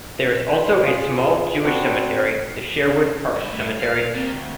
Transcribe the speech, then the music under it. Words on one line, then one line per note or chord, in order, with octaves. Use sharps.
There is also a small Jewish cemetery, the Sherwood Park Cemetery.
B4 C5
F4 G#4
C4 D4 F#4 B4 C5
G2 E4
A3
A#4 F5
G3 A#3 C4
D2